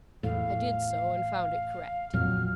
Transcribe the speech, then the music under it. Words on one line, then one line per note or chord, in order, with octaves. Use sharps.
I did so and found it correct.
E2 A2 F5
F2 A#2 F#3 F6